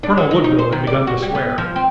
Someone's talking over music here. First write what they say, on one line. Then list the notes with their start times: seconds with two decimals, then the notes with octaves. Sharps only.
Colonel Woodville had begun to swear.
0.03 D4
0.17 F#3
0.31 D#4
0.44 D#4
0.59 C5
0.72 D#3
0.87 D5
1.07 F#4
1.22 G3
1.35 B3
1.58 F3
1.76 C4